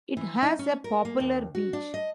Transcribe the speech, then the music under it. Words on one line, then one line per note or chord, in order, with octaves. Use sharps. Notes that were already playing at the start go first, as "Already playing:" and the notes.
It has a popular beach.
E3
D#4
C#4
A#4
A#3
D#2
F#4
D4
D#5